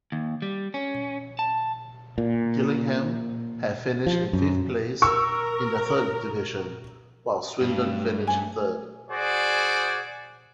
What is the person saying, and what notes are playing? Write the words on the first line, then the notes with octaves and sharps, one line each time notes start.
Gillingham had finished in fifth place in the Third Division while Swindon finished third.
D#2
G3
C#4
A5
A#2
F3
F#2
A#4 C#6 E6
G2 F#3 A3
G#5
F#4 G#4 C5 D5